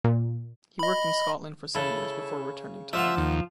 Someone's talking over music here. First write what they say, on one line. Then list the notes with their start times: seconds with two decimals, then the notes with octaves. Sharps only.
He worked in Scotland for some years before returning to London.
0.04 A#2
0.79 D#5 B5
1.75 C#3 E4 A4
2.93 F3 F4 D5 E5 F#5
3.17 D#2